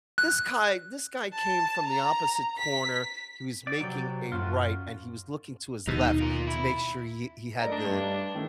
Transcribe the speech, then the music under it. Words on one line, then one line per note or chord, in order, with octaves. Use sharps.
this guy this guy came from the opposite corner, he was making a right and he was looking to his left to make sure he he had the
F#6
A5
A#5
B6
D5
C3 F#3 C#5 G6
F#2 F4 F#4
D#2 B2 D#4
F4 A#4
E4
A3 A#4 D5 D#5
D4
G2
D#3 A3 C#4